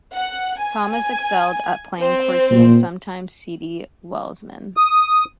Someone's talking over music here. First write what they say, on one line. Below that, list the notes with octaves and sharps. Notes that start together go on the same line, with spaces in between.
Thomas excelled at playing quirky and sometimes seedy Welshmen.
F#5
G#5
G#5
C4 C5
A#2
D#6